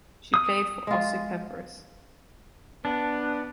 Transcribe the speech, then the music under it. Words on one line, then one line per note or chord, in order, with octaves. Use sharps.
She played for Aussie Peppers.
D#6
G#3 F4
B3 D4